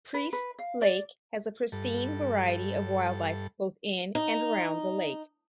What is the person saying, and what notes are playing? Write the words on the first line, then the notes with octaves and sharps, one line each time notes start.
Priest Lake has a pristine variety of wildlife both in and around the lake.
B4
B4
F5
D5
G2 A4
D#4